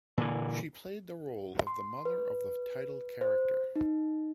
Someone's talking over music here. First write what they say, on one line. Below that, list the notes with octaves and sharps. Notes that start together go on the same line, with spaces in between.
She played the role of the mother of the title character.
A#2 D3 E3
C6
B4
C5
D#4